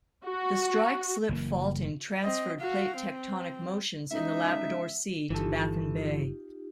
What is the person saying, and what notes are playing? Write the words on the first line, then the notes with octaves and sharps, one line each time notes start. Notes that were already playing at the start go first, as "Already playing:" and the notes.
The strike-slip faulting transferred plate-tectonic motions in the Labrador Sea to Baffin Bay.
F#4
F#1 E3 A#3
C4 D#5
F#4 F5
C4
C#2 D#4 E5
G1 E3 D#4 F4 G4 A4